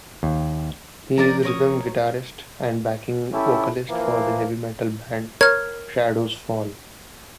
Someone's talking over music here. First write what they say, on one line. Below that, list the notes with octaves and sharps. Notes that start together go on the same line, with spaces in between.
He is rhythm guitarist and backing vocalist for the heavy metal band Shadows Fall.
D#2
F3 C#4 A#4 D5 A5
A#4 C#5 D#6
C#4 E4 G4 A4
E3 F3 A#3
A#4 C#5 F6 G#6